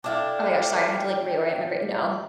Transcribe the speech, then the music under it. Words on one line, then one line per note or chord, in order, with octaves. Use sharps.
Oh, my gosh, sorry. I had to, like, reorient my br No.
D4 E4 A4 D5 F5 G5